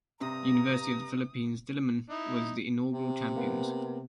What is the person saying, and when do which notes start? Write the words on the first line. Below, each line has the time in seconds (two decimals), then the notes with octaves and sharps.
University of the Philippines Diliman was the inaugural champions.
0.21 G2 C3 A#5 D#6
2.10 D#4 E4
2.92 C3
3.36 A#3 B3